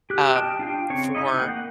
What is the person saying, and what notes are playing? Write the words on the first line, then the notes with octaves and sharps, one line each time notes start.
um, for
G4 F#6
D#5 G5 A5 F6
D4 F4 G5
C#3 C4 C#5 C#6
D#4 E4 D#5
A#3 F#5 G5